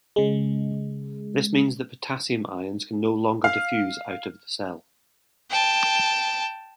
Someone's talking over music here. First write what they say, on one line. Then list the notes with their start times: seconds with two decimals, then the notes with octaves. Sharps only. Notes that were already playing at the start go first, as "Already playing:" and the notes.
This means that potassium ions can no longer diffuse out of the cell.
0.16 C#3 G#3
3.44 F5
5.50 G5 A5